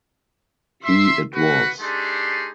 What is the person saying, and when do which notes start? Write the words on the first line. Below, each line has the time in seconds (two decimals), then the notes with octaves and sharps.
He it was.
0.83 E5 C6
1.34 F#4 B4 F#5
1.80 A3 D4 D#4 G4 G#4 C6